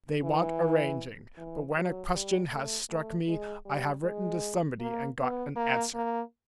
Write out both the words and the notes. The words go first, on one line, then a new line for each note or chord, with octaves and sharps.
They want arranging, but when a question has struck me, I have written to somebody and got an answer.
E3
E3
F#3
G3
A3
A3
G#3
G3
G#3
A#3
B3
A#3
A#3